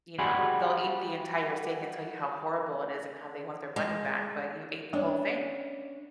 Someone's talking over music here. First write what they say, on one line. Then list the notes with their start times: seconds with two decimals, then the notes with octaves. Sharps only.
you know, they'll eat the entire steak and tell you how horrible it is and how they want their money back, but you ate the whole thing.
0.19 G3 F#4 G#4 G#5 B5 C6
3.76 G#3
4.93 C#4 D4